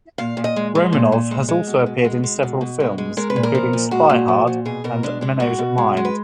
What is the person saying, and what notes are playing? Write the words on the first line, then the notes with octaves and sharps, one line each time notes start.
Romanov has also appeared in several films, including "Spy Hard" and "Menno's Mind".
A#2 F5
A#2
D#5
G#3
G#3
A#2
A#2
G#3
G#3
B2
B2
G#3
G#3
B2
B2
G#3
G#3
G#3 A#4
B4
A#2
A#4
F3
A#2
G#3 F#4
A#2
F3
A#2
B2 G#4
B2 A#4
G#3 D4
G#3 D4
B2 F#4
B2
G#3
G#3
B4